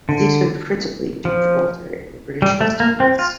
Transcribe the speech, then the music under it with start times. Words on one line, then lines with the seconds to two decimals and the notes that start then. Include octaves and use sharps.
These went principally to Gibraltar and the British West Indies.
0.09 D3
1.25 F3
2.42 G3
2.61 A3
2.80 A#3
3.00 C4
3.19 F4